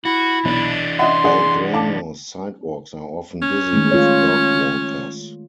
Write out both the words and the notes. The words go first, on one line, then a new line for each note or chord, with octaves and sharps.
Belgrano's sidewalks are often busy with dog walkers.
E4 F#4
B1 E3 D4
D#5 E5 F#5 C6
G#4 D5 F#5
F5 A5 D6
C#4
D#3 G#3 A3
F4 C#5